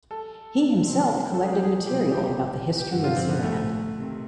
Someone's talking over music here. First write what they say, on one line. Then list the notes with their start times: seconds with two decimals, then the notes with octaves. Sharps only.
He himself collected material about the history of Zeeland.
0.11 A4
0.80 C3 D#3 G#3 C4
1.34 A4
1.44 G#4
1.53 G4
1.63 G#4
1.86 B2 G3 C4 G4
1.99 G#4
2.12 G4
2.79 G4
2.90 G2 D3 F3 F#4
3.04 F4
3.16 C4
3.29 B3
3.43 A3
3.96 C3 D#3